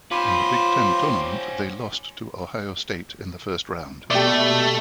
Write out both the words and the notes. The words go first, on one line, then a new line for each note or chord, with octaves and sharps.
In the Big Ten Tournament they lost to Ohio State in the first round.
C#4 F4 G4 B4 C5 C6 D6
B2 A3 G4 D5